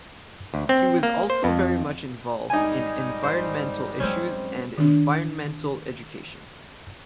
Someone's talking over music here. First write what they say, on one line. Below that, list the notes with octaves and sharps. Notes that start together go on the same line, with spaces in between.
He was also very much involved in environmental issues and environmental education.
D2
C4
A#3
C5
F2
G#1 G3 D#4 G#5
C5
F#3 G#3 C4 C#4
D#3 D4